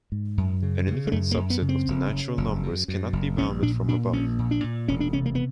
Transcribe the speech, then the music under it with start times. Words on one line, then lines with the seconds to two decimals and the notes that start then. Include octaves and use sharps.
An infinite subset of the natural numbers cannot be bounded from above.
0.12 G#2
0.38 F#2
0.63 C#3
0.87 C#3
1.07 G#3
1.12 F#2 A3
1.31 A#3
1.37 F#2
1.50 B3
1.62 C#3
1.69 C4
1.88 F#1
2.13 C#3
2.38 F#1
2.63 F#2
2.88 F#2
3.13 F#1
3.38 A#1 C#4
3.63 A#2 D4
3.88 A#2 D4
4.13 A#1 C#4
4.39 A#2
4.51 D4
4.64 A#2
4.88 E1 C#4
5.00 D4
5.13 C3 C#4
5.26 A#3
5.35 B3